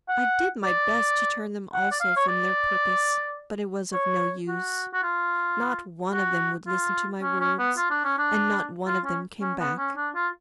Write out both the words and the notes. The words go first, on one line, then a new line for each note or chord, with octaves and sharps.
I did my best to turn them also from their purpose, but it was of no use. Not one of them would listen to my words, and not one of them came back.
F#5
D5
F#5
D5
F5
C#5
D5
C#5
F#4
F#4
F4
F#4
F4
C#4
C#4
B3
F4
D4
C#4
D4
F4
C#4
C#4
B3
C#4
D4
F4